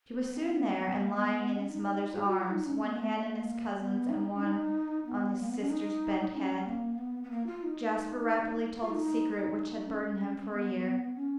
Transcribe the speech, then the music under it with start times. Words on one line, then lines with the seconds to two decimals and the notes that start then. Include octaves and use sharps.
She was soon there, and, lying in his mother's arms, one hand in his cousin's, and one on his sister's bent head, Jasper rapidly told the secret which had burdened him for a year.
0.26 B3
0.36 C#4
0.47 B3
0.58 A#3
0.74 B3
0.90 B3
1.01 A#3
1.14 B3
1.54 C#4
1.70 D#4
2.15 G#4
2.27 F#4
2.38 F4
2.51 D#4
2.66 C#4
2.83 B3
2.91 A#3
3.00 B3
3.14 A#3
3.78 B3
4.10 D#4
4.36 C#4
4.42 D#4
5.06 B3
5.39 A#3
5.49 B3
5.60 C#4
5.70 D#4
6.35 C#4
6.67 A#3
6.98 B3
7.23 B3
7.31 A#3
7.47 F4
7.63 D#4
8.81 F4
8.90 D#4
9.55 D#4
9.87 C#4
10.51 B3
11.15 C#4